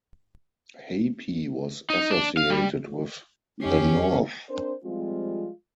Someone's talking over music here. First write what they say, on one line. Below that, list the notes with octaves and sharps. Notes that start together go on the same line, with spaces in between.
Hapi was associated with the north.
D#4
D4
F5
G3
F2 C#4 D#4 G4 C7
C4 D4 A#4 C5
F3 G3 G#3 C4 F4